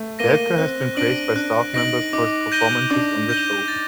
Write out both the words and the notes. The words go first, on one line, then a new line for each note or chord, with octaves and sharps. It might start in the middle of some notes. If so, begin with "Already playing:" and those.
Welker has been praised by staff members for his performances on the show.
Already playing: A3
A#3 A#6 D#7 G7
C4 F#6
D4 A#6 D7 F#7
D4 F#6
D#4 A#6 D7 F#7
D#4 D6
G6 A#6 D#7 G7
D4 D6
G6 A#6 D#7 G7
A6